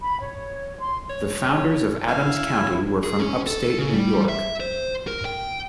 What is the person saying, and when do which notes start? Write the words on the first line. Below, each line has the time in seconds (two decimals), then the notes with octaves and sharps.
The founders of Adams County were from upstate New York.
0.01 B5
0.20 C#5
0.79 C6
1.10 C#5
2.08 E4 F5
2.64 C#5
3.03 G#4
3.20 C#4
3.47 A4
3.78 C#3
3.93 G3
4.29 E5
4.60 C5
5.08 A#4
5.25 G5